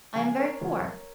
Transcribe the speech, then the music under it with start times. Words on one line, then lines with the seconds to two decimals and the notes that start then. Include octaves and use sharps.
I am very poor.
0.15 C#3 F3 G#3 F5 G#5
0.38 A#4 C#5
0.61 C#3 E3 G#3 C#4 F4